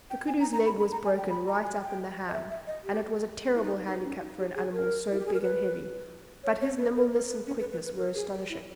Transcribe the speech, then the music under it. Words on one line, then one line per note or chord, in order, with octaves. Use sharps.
The koodoo's leg was broken right up in the ham, and it was a terrible handicap for an animal so big and heavy, but his nimbleness and quickness were astonishing.
G5
G#5
A#5
A#5
B5
B5
A#5
G#5
G5
B5
A#5
G#5
G5
D#5
E5
E5
D#5
G4
E4
D#4
D#4
C#4
D#4
G4
G#4
A#4
E4
G4
G#4
A#4
B4
C#5
C#5
B4
A#4
A#4
B4
C#4
B4
B4
B4
A#4
G#4
G4
E4